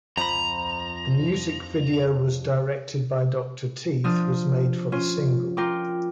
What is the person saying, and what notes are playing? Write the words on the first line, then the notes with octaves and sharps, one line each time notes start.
The music video was directed by Doctor Teeth was made for the single.
F2 F3 A#5 B5
F3 D4 D#6 F6
C#4 F4
F4 A#4 G5 D6